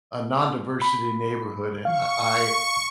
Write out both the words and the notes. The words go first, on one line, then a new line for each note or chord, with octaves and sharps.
a non-diversity neighborhood, and, uh, I
B5
F5 C#6